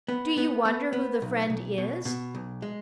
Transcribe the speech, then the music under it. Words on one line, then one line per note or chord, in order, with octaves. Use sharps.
Do you wonder who the friend is?
B3
B3
B3
B3
B1
B1
B2
B2
B1
G#3